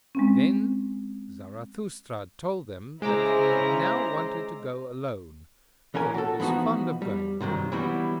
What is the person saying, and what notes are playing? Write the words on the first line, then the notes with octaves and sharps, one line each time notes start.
Then Zarathustra told them that he now wanted to go alone; for he was fond of going alone.
G#3 C4 C#4
C#3 G#3 E4 C5 A#5 D6 E6
B1 E3 C#4 A#4 G#5
F#4 A4
E3 F3 B3 D#4 F#4
G3
G2 C3 D#3 F#3
E3 F#3 G3 B3 E4 F#4